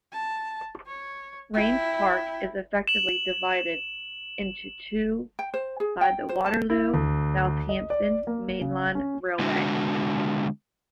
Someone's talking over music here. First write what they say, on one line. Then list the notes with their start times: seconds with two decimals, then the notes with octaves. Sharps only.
Raynes Park is effectively divided into two by the Waterloo - Southampton mainline railway.
0.12 A5
0.86 C#5
1.54 E4 G5
2.88 E7 F#7
5.39 G5
5.54 C5
5.80 G#4
6.01 G5
6.29 C5
6.46 A5
6.70 E4
6.94 D2
7.69 D#5
7.90 D5
8.27 A#3
8.61 C#3
8.95 C#4
9.39 D3 G#3 B3 D4 F#4